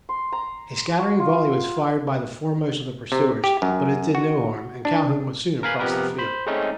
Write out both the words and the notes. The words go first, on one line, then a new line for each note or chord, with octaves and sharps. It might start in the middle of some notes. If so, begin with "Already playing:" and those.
A scattering volley was fired by the foremost of the pursuers, but it did no harm, and Calhoun was soon across the field.
C6
A#5
F#4
F4
C3
G4
F#2
F#4
D4
A#4 B4 F5 G#5 B5
C3 F3 B3 G4 A#4 B4
C5 B5
G#3 A3 C4 C#4 D#4